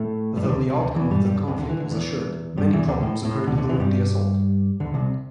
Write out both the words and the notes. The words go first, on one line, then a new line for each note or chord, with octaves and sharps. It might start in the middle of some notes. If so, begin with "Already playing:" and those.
Though the outcome of the conflict was assured, many problems occurred during the assault.
Already playing: A2 A3
G2 G3
E3
D2 D3
C2 C3
D2 D3
E2 E3
G2 G3
G2 G3
G2
C2 C3
D2 D3
E3
D3
E2 E3
G2 G3
E2 E3
D2 D3
A2
A2
D2 D3
D2 D3
E2 E3
G2 G3
D2 D3
C2 C3